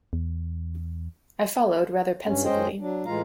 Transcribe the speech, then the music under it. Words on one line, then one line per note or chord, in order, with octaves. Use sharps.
I followed rather pensively.
E2
G2 C#4
F#2 G#3 C#4 C5 D#5 G5
F#3 D4
A2 E3 G#3 F4 F5 A#5